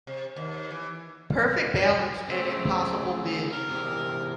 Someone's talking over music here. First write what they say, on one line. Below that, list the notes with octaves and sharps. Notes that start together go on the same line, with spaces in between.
Perfect balance and impossible vision.
C3
D#2
E3
C#3 A3 C4
A#4
E2 C3